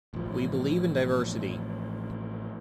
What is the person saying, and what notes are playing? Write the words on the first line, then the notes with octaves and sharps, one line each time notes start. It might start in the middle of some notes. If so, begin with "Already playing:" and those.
We believe in diversity.
A1 F3